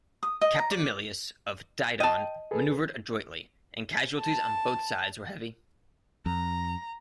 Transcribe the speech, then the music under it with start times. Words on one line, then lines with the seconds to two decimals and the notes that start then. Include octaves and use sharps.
Captain Milius, of "Didon", maneuvered adroitly, and casualties on both sides were heavy.
0.23 D#6
0.41 D#5
0.59 A#5
0.71 D5
2.00 D#5 G5 A5
2.51 G#4 A4 B4
4.18 A5
6.26 F2 A#5